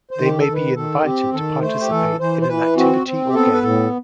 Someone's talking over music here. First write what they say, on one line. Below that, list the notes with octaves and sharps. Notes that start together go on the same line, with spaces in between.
They may be invited to participate in an activity or game.
C5
D#3
G4
A4
D#3
B4
D#3 A4
C4 G4
D#3 A4
A3 C5
G4
E3 A4
E3 C5
C5
E3 B4
C4 F#4
C4
G4
B3 A4
B4
A2 A4